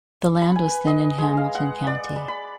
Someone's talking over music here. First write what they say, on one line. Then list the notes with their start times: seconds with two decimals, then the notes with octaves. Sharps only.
The land was then in Hamilton County.
0.42 B5
0.56 G#5
0.68 B4
0.87 D#5
1.18 G#3
1.37 F5
1.55 F#5
1.87 D5
2.16 B5
2.28 B5